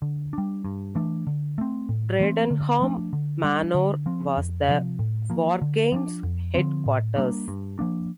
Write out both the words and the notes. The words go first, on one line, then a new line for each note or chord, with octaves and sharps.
Bradenham Manor was the Wargames' Headquarters.
D3
G3 D4
G2
E3 A3 D4
D3
A3 C4
A2
E3 A3 C4
D3
F3 A3 D4
D3
G3 D4
D3
F3 C4
F2
C3 F3
A2
F3 A#3
D3
F3 A#3 D4
F2
D3 F3 C4
A2
G3 A#3 D4
G2
F3 A#3 D4